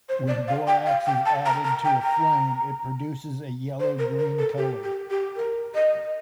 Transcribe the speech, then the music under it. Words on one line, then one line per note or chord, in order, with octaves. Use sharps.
When borax is added to a flame, it produces a yellow green color.
C5
D5
F5
G5
F5
G5
A5
A#5
A#5
G5
A#5
C5
A#4
A#4
A4
G4
G4
G4
A#4
D#5